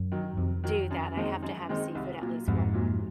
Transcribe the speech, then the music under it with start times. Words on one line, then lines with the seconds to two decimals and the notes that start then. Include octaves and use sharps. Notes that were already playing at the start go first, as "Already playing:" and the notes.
do that, I have to have seafood at least once a week.
Already playing: F#2
0.12 D#3 F#3
0.37 F2 C3
0.64 D#3 F#3
0.91 F#2
1.16 D#3 G#3 C4 D#4
1.43 F#2
1.69 D#3 G#3 C4 D#4
1.95 C2
2.21 A#2 F#3
2.48 C2 F2 G#2
2.74 A#2 F#3